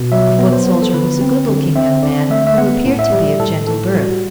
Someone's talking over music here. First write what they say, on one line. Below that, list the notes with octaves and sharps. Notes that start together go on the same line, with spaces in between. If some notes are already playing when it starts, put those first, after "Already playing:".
The foot soldier was a good-looking young man, who appeared to be of gentle birth.
Already playing: B2
F#3 E5
B3
C5
B3
A4
D3 B4
C4
D3
C4 E5
D3 D5
A3 E5
E5
B3 F#5
A2
E5
G3
A2 A4
A2 A4
G3 F#4